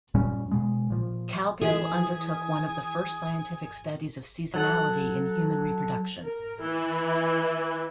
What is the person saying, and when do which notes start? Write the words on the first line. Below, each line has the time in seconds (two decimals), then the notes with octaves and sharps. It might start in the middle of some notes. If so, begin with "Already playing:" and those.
Cowgill undertook one of the first scientific studies of seasonality in human reproduction.
0.14 F#2 A#2 G3 C#4
0.51 B2 G#3
0.90 A#2 F3
1.61 E3 G#4 E5 G#5 D#6
4.54 F#3 A4 F#5
6.23 A#4
6.61 E3